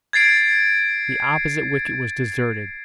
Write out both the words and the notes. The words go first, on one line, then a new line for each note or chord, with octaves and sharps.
The opposite wicket was deserted.
G#6 A6 C7 D7